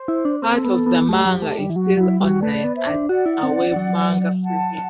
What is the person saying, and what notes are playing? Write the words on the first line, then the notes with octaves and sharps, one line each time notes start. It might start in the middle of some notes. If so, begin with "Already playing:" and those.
Part of the manga is still online as a webmanga preview.
Already playing: C5
E4
D4
C4 A4
B3
B3
A3 G4
F#3
A3
G3
E3
F#3 F#4
F#3 E4
G3 F#4
A3 B4 D5
B3
C5 E5
D4
F#4 D5 F#5
E4
C4
F#3
F#5 A5